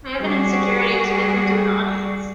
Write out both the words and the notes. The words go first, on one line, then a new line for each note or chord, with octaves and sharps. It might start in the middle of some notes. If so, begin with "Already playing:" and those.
I have an insecurity of speaking to an audience.
G3 F#4 G#4